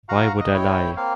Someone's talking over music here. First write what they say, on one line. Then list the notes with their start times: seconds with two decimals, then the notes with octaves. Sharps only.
Why Would I Lie?
0.09 F#4 F5 F#5 A#5
0.40 D#5
0.54 E4 C#5 G5
0.97 A#3 C4 F5